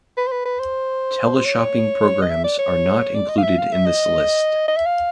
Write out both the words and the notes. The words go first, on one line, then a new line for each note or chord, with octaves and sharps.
Teleshopping programs are not included in this list.
B4
C5
B4
B4
C5
C#5
D#5
E5
D5
C#5
D5
D#5
F5
E5
F5
E5
D#5
D#5
E5
F5